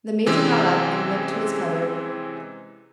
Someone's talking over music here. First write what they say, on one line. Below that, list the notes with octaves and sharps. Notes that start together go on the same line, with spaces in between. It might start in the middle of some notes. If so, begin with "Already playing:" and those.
The Major got up and limped to his cupboard.
C3 E3 G#3 C4 C#4